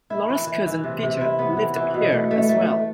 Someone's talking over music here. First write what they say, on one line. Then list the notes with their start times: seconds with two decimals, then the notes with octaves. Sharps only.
Laura's cousin Peter lived here as well.
0.10 E4
0.30 E3
0.47 E3
0.66 E3
0.84 C3
1.03 C3
1.21 E4
1.39 B3
1.57 E3
1.76 E3
1.94 B2
2.12 A3
2.31 A3
2.49 A3
2.67 A3